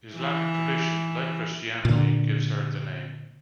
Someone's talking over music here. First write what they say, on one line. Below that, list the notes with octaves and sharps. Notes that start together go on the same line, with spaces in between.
Islamic tradition, like Christianity, gives her the name.
E3
A#2 D3